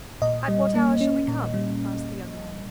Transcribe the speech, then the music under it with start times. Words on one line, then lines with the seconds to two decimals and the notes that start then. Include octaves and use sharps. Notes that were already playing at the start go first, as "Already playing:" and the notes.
"At what hour shall we come?" asked the young man.
0.22 A#2 D#5
0.48 G3
0.75 A#3
1.01 C#4
1.28 A#2
1.54 G3